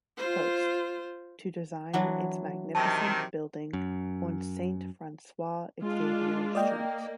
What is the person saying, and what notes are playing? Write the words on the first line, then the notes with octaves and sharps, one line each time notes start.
Post, to design its magnificent building on Saint Francois-Xavier Street.
F4 C5
E3 F#3 D4 F#5
C3 D#3 A5
F#2
G#3 D4 F4
A#3 D5 D#5 G5